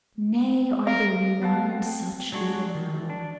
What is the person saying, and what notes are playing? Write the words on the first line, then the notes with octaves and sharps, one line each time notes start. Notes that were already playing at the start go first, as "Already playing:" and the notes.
Nay, are there none such even now?
A#4 F5
B3 B4 F5 A5
C4
F#3 G#3 D4 F#4 G#4
D#3
D4